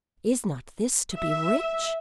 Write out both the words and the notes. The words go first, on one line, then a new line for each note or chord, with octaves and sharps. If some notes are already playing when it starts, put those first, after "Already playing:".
Is not this to be rich?
E5